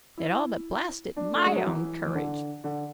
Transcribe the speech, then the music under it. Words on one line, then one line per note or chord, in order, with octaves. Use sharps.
It all but blasted my own courage.
E4
D4
A3
G#3
F#3
E3
E3
D3
D3